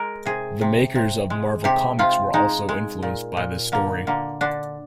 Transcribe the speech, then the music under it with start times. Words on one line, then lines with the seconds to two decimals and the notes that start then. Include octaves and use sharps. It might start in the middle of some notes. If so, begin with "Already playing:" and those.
The makers of Marvel Comics were also influenced by this story.
Already playing: G#3 A#4
0.25 C3 G#4
0.61 C3
0.95 C3
1.30 G#3
1.64 C3 G4
1.99 C3 F4
2.34 G#3 D#4
2.69 G#3
3.03 A#2
3.37 A#2
3.72 D3 A#3
4.07 D3 A#3
4.41 D3 D4